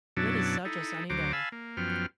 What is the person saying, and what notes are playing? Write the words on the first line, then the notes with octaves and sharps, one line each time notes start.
It is such a sunny day.
F#2 B2 F#3 D4 E4 A5
D#4 E4 A4
D2 F#3 C5 A#5 D6
F5 G#5 A5 B5 E6
A#3
F#2 F3 B3 G5 F6